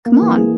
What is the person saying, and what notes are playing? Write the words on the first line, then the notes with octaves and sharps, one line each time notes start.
Come on,
A#3
E3
G#4